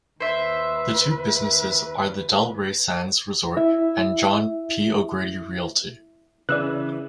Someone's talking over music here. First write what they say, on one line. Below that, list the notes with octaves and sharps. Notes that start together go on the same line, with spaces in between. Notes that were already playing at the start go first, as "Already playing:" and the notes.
The two businesses are The Delray Sands Resort and John P O'Grady Realty.
D#2 B4 C5 E5
E4 E5
C#3 E3 B4 D5 E6 F#6